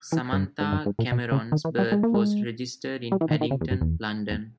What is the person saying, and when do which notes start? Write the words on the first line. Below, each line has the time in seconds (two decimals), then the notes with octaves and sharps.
Samantha Cameron's birth was registered in Paddington, London.
0.12 E3
0.33 G2
0.61 G#2
0.72 G2
0.86 G#2
0.99 A#2
1.12 B2
1.32 C#3
1.52 D#3
1.65 E3
1.78 G3
1.92 G#3
2.03 A#3
2.14 G#3
3.12 G3
3.21 E3
3.31 D#3
3.41 D#3
3.51 C#3
3.61 E2
3.71 G2
3.81 E2
4.31 E2